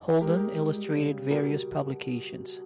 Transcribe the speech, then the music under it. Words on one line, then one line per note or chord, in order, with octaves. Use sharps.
Holden illustrated various publications.
G#3 G4 A#4
G#3
G#3
G3
C#3
G3
B2 G4 A#4
G3